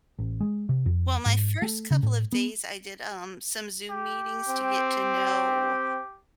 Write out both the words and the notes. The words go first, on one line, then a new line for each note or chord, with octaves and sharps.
Well, my first couple of days, I did, um, some Zoom meetings to get to know,
A1
G#3
C3
F2
G#2
A3
C#3
A2
B3
G4
C4